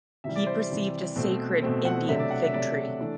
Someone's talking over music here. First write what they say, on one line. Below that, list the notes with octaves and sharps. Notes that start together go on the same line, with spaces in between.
He perceived a sacred Indian fig-tree.
C3 E3 G3 E5
D5
C5
D5
C3 E3 G3
B2 A3 C4
B2 A3 C4
F#5
C3 F#3 A3 D4 E5
D5
F#5
E5
C3 F#3 A3 D4 D5
E3 A3 D4